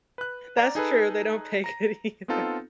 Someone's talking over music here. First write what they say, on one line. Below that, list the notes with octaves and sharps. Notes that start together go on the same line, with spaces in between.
That's true. They don't pay good either.
B4 F#6
D5 A#5
D#4 G#4 A4 B4
A#5 A#6
B3 C4 D#4 F4 A4